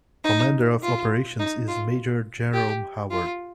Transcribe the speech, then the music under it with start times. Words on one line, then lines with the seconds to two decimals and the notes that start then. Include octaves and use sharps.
Commander of Operations is Major Jerome Howard.
0.24 D#4
0.83 F4
1.39 D#4
1.68 F4
2.53 G4
3.11 F4